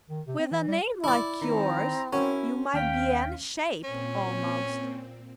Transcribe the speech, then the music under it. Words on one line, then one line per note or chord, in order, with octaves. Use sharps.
With a name like yours, you might be any shape, almost.'
D#3
C3
C4
E3
G3
E4 D5
D#3 C4 A#5
C#4 E4 F#4 A#4 C#5
D#2 F5 G5 F6 B6
A#2 C4 C#4